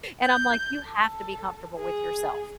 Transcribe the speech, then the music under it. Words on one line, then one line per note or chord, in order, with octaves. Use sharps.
and I'm, like, you have to be comfortable with yourself
G6
A4
G#4